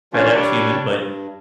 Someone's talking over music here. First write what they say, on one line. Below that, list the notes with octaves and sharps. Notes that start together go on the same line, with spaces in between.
FedEx human, but
E3 A3 C#4 D4 F4
G3 D4 C#5 D5
G2